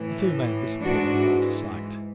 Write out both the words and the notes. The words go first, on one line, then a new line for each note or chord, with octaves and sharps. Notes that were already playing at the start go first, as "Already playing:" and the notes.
The two men disappeared from Walter's sight.
Already playing: A2 E3
G#2 E3 D4 F#4